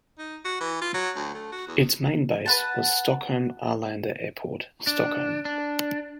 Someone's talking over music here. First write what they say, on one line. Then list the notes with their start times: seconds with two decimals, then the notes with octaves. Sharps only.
Its main base was Stockholm-Arlanda Airport, Stockholm.
0.18 D#4
0.45 F#4
0.61 E3
0.81 F4
0.94 F#3
1.16 D2
1.34 A3
1.52 F#4
1.68 E2
2.46 B4 F#5 A5
4.87 D4
5.45 D4